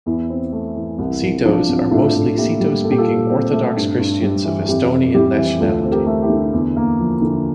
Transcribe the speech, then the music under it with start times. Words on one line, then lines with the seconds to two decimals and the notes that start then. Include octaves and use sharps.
Setos are mostly Seto-speaking Orthodox Christians of Estonian nationality.
0.06 E2 E4
0.30 C4
0.52 A3
0.76 E3
0.98 C2
1.22 C2
1.45 F3 D4 F4
1.68 C3
1.91 A2 D4 F4
2.15 A2
2.37 A#3 E4 G4
2.60 G3
2.83 A#2 A4
2.91 G4
2.98 F4 A4
3.07 A#2
3.29 C4
3.52 A3
3.76 G2
3.99 G2
4.22 G3
4.45 E3
4.68 F2 E4 G4
4.91 F2
5.14 G3 E4 G4
5.37 E3
5.60 D2 F4 A4
5.84 C4
5.91 G4 A#4
6.06 A3
6.22 E4 G4
6.30 D3
6.53 E2
6.76 A#3
6.99 F3
7.22 D3